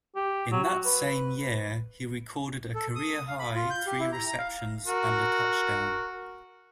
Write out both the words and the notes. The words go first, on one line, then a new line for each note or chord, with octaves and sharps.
In that same year he recorded a career-high three receptions and a touchdown.
G4
F#3
F#4
B4
A4
D#6
F5
B5
F4
G6
G4
E4
A#5
A#5
F5
F#4 A#4